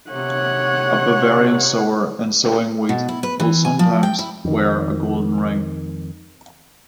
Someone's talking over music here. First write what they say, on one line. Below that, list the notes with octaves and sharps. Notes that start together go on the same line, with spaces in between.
A Bavarian sower in sowing wheat will sometimes wear a golden ring.
C3 C#5 F#5
B2
E4
B4
E3
G#5
F3
G5
E4
F2 D#3